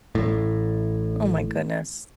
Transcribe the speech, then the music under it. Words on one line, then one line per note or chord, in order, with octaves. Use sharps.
Oh my goodness.
A1 A2